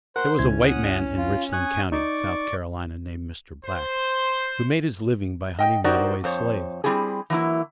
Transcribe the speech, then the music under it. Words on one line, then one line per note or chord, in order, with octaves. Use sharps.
There was a white man in Richland County, South Carolina, named Mr. Black, who made his living by hunting runaway slaves.
A#4 C5 F#5
C#2 C#4 E4 G#6
F#5 D#6
F4
G#5 C#6 D#6 F#6
D#4 D5 C#6
C5
D#5 G5
D#4 F#4 G4 A#4 C5 D5
F2 C5 C#5
G3 C4 E4 G4 G#4
E3 F#3 A#3 E4